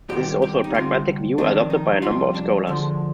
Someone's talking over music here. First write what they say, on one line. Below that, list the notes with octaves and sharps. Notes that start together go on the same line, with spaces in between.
This is also a pragmatic view adopted by a number of scholars.
G#2 D#3 G3 G4
G4
D#4
D2 C3 G3 F4
F2 C3 D#3 D4
D#4
F2 C3 G3 F4
D4
D2 D3 F3 G#3